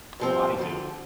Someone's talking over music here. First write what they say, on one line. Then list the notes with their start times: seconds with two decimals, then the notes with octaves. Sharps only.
Oh, I do.
0.20 G2 F3 C4 G4
0.58 D2 D3 F3